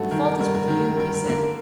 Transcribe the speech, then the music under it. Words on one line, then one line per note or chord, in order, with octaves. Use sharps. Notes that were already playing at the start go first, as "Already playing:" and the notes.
"The fault is with you," he said.
Already playing: G2 F#3 A3 F#4 A4
D#3 A#4
A#4
G2 A#4
A#4
D#3 A#4
A#4
G2 A#4
A#4
D3 A#3 A#4